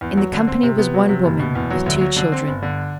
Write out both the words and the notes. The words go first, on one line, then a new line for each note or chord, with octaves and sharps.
In the company was one woman, with two children.
E2
F#3
D3
C4
C3
B3
F#3
C3
F#1
B2
E2
F#3
D2
F#3
D3
C4
G1
D3